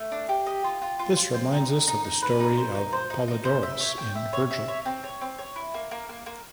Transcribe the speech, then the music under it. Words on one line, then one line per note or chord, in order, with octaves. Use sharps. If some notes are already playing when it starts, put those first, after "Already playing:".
This reminds us of the story of Polydorus in Virgil.
Already playing: A3
D4
G4
D#5
F4
F4
F4
F4
C4
D#4
D#4
D#4
D#4
B4
D#4
C5
D#4
C5
D#4
D#4
C5
E5
C#5
G5
E5
C#5
E5
C#5
C4
C#5
C4
C#5
E4
A#3
A#3
A#3
A#3